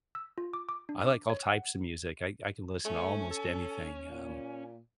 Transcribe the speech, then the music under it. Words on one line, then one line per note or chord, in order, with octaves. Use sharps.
I like all types of music. I I can listen to almost anything, um,
E6
F4
D6
D6
D4
D6
C#5
F#5
A3 C#4
A4
A#2